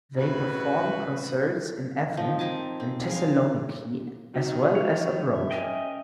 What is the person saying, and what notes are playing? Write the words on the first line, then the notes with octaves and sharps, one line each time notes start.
They performed concerts in Athens and Thessaloniki as well as abroad.
A2 C#3 F#4 B4
F3 C4 D#4
C4 A#4 G#5 A5
C4
G#4 A#4 F5
D#3 F#3 D#4
C#5
E5
C#4 D#5 G5